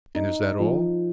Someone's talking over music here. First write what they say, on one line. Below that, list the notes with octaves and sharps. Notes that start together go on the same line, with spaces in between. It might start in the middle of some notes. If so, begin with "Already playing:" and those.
"And is that all?"
D#4
F3